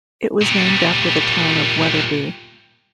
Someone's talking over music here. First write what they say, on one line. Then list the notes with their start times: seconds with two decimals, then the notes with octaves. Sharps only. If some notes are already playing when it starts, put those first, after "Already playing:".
It was named after the town of Wetherby.
0.42 A#2 G3